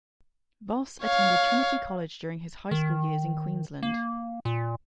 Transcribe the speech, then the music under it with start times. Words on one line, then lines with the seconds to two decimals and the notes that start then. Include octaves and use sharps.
Voss attended Trinity College during his high school years in Queensland.
1.03 C#5 F5
2.71 D#3
3.83 A#3
4.45 A#2